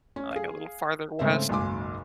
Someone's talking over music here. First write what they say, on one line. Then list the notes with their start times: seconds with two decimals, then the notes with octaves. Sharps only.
like, a little farther west.
0.16 C#4
0.31 G#4 F5
1.19 G#2 C#3 A3 C4 C5 E5
1.49 F#1 B1 G#2 G#5 C6 D6